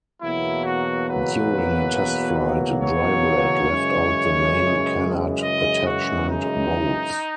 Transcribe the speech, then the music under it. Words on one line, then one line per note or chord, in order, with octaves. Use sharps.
During a test flight Drybread left out the main canard attachment bolts.
E2 B2 F#3 A#3 E4
F#4
B4
C#5
F#2 C#3 E3 G#3
D#5
F#4
D#4